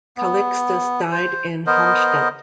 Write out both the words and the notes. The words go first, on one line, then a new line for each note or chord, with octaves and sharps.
Calixtus died in Helmstedt.
B3
C5
B3 A#4 C5 D#5